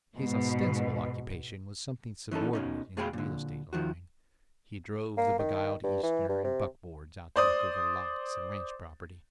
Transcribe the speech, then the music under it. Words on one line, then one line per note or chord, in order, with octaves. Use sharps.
His ostensible occupation was something subordinate in the real estate line; he drove the beguiled Easterner in buckboards out to look over lots and ranch property.
G#2 B2
E3 C#4 D#4 A4
B2 C#4 D#4
B2 A3 G#4 F5 G5 B5
A#2 D3
D#3 F3 F#4
A#3
D#3
G2
E3
G2
C3
C5 D5 D#6